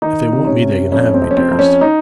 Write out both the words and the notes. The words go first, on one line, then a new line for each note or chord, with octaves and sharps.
'If they want me they can have me, dearest.
D#3 D#4
C3
C#4
C3
F2 C#4
C4
F2
C#4
C4
F2
C#4
D#4